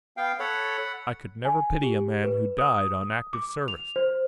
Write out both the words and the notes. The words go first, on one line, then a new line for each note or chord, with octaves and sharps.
I could never pity a man who died on active service.
B3 F5 G5
A4 C#5 F#5 B5
G#5
G4
B4
D#6
D6
F7
C5